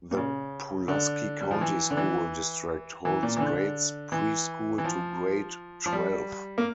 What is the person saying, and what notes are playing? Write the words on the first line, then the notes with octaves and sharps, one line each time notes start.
The Pulaski County School District holds grades pre-school to grade twelve.
A#2
C#3
D3
G3
F3
E3
D3
E3
E3
A#2
E3
D3
E3
E3
F3
F3
G3
A#3